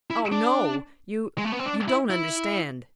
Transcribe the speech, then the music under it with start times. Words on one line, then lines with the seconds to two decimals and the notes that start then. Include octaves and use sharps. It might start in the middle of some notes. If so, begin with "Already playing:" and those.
"Oh NO--you--you don't understand."
0.10 E4
0.32 D4
1.38 G#3
1.45 A3
1.52 B3
1.59 C4
1.66 D4
1.88 E4
2.10 E4